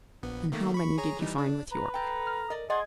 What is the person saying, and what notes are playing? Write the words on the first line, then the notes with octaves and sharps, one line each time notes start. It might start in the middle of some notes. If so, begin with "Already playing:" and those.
"And how many did you find with Yorke?"
A#1 B3
D#3 A3 A#3
B5 C#6
G#4 C#5 A#5
E3 G3 D#4
D4
B4 A#5
A4 G5 A#5
F6
A#4 D5 D#5
G#4 D5 D#5 F#5 C6 G#6